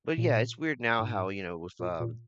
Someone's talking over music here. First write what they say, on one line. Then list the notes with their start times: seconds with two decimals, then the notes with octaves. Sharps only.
but, yeah, it's weird now how, you know, with, um,
0.17 A#2
0.99 G#2
1.79 A#2
2.00 A#2